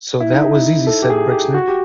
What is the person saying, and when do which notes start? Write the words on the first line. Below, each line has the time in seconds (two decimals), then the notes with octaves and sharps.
So that was easy, said Brixner.
0.20 E4
0.32 D#4
0.42 E4
0.54 E4
0.87 A4
1.02 G4
1.10 G#4
1.32 G4
1.54 F#4
1.68 G4